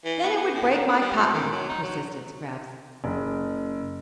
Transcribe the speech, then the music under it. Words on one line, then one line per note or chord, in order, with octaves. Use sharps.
"Then it would break my cotton," persisted Scraps.
E3
B3
B3
A2
D#3
A#3
G3
F2
D#3
F#3
D#4
F#3
F#1